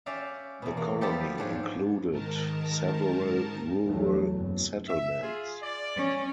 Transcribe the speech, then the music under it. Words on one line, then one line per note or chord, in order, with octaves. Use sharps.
The colony included several rural settlements.
C#4 G4 D5 E5 F5 A#5
E2 B2
A#3
F3 G3 B3 G4 A4
G#2 F3 D4 C#5
G#2 D#3 A#4 A5
E2 F#3 A3
F#1
E5
F4 G#4
D5
C#4